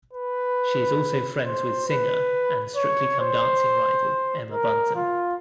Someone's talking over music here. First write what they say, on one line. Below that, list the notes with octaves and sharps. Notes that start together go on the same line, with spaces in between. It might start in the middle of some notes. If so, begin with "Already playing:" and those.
She is also friends with singer and "Strictly Come Dancing" rival Emma Bunton.
B4
C5
B4
C#5
C5
A#4
F4